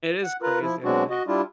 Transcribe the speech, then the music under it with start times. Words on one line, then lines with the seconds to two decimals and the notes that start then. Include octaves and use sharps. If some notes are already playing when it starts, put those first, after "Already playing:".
It is crazy, I think,
0.24 F#5
0.42 F4 A#4 B4
0.61 F3 E4
0.84 B2 F#3 G#3 C4 D4 F#4
1.10 F#4 D#5
1.27 G3 D4 E4 F4